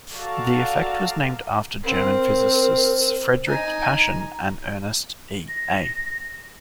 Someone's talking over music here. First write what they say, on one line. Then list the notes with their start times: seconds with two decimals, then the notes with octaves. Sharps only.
The effect was named after the German physicists Friedrich Paschen and Ernst E. A.
0.13 F#4 A4 D5 F5 A5 A#5
1.84 C4 A#4
3.47 D#4 G#5 A#5
5.48 A#6